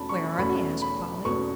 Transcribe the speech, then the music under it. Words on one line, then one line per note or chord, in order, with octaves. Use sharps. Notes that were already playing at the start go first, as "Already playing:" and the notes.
"Where are they!" asked Polly.
Already playing: E2 B2 A3 C#4 A5 B5
C#6
E2 B2 A3 C#4 B5
B5
E2 B2 A3 C#4 C#6